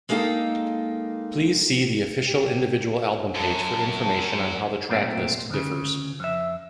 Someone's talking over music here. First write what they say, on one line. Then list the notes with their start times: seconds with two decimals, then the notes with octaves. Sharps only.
Please see the official individual album page for information on how the tracklist differs.
0.09 G#3 A#3 D#4 A4 F5 G5
2.23 G4
3.35 F#2 A5
4.89 B1 A#2 A3 C4
5.50 D2 C#3
6.20 F2 E5